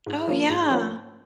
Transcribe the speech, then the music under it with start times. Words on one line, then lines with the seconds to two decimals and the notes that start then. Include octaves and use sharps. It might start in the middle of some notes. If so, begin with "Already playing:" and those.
Oh, yeah.
0.06 G#2
0.27 F3 A#3 C#4
0.49 G#2
0.70 F3 A#3 C#4